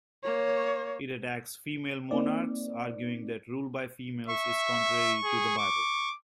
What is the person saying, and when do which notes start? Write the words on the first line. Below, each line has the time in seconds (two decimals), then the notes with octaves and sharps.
It attacks female monarchs, arguing that rule by females is contrary to the Bible.
0.23 A#3 C#5
2.11 A#3 C4 D#4 D5
4.28 E5 C#6
5.24 G#4
5.58 D6